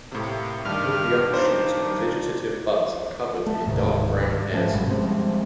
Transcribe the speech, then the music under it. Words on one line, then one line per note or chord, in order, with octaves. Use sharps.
Both young shoots and vegetative buds are covered in dark brown hairs.
A2 C3 A#3
G2 D#3 D4 F6
D#4 C5
A3
D1 G#2 C3 D#3
G#2 F3 A3 C#4
G1 G2 B2 G3
F3 G3 G#3 C4